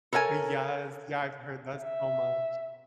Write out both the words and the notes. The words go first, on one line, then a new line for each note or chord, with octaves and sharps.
Eh, yes, yeah, I've heard that so much.
A4 A#4 C#5 F#5 G#5
E5